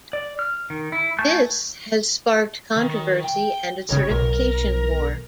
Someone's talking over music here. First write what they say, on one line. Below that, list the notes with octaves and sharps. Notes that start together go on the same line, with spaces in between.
This has sparked controversy and a certification war.
D5
F6
D#3
E4
A3 G#5 A5 C#6 G6
D#3
G5
G#1 C#3 C#5
B1 A#4